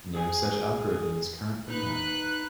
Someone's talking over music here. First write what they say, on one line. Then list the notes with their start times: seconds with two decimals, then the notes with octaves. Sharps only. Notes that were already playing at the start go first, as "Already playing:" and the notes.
No such algorithm is currently known.
0.15 G#4 G#5
1.70 D#4 B4 F#6